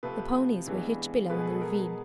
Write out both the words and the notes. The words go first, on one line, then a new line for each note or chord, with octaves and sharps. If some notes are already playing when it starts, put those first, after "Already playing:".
The ponies were hitched below in the ravine.
C3 F3 A3 C4 B4
G2 E3 G#3 B3
B2 G#3 B3 B4
G#4
A4
A#4